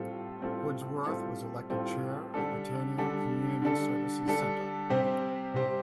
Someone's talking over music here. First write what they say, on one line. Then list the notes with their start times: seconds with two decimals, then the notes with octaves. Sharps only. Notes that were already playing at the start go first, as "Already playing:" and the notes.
Woodsworth was elected chair of Britannia Community Services Centre.
Already playing: A2 G3 C4 F4 A4
0.41 A2 G3 C4 F4 A4
1.05 A2 G3 C4 F4 A4
1.70 A2 G3 C4 F4 A4
2.34 D3 G3 D4 A4
2.98 D3 G3 D4 A4
3.62 D3 G3 D4 A4
4.25 D3 G3 D4 A4
4.90 C3 G3 C4 G4 C5
5.54 C3 G3 C4 G4 C5